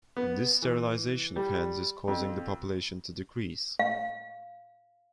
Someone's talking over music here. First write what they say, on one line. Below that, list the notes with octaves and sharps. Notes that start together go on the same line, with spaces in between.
This sterilization of hens is causing the population to decrease.
B3
E3
G3
F2
F5